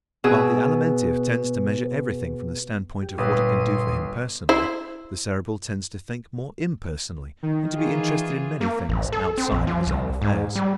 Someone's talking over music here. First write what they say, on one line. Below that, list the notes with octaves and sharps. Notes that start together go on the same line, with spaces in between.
While the Alimentive tends to measure everything from the standpoint of what it can do for him personally, the Cerebral tends to think more impersonally and to be interested in many things outside of his own affairs.
B2 G#4 E6
G4
G1 A#2 B4 C6 D#6
E4 C5
D#3
E3 F4 G#4
A#3
A1
A4
C4
A#1
F3
C2
G#2
G3